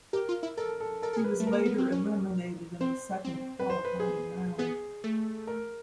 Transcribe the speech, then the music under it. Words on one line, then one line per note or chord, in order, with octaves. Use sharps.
He was later eliminated in the second qualifying round.
G4 A#4
F4
E4
A4 A#4
A4
A4 A#4
A4
G#4
B4
A3
A#4
A#3
B3
C4
C#4
C4 C5
C4
B4
C5
B4
G#4
B3 G#4
A3
A#4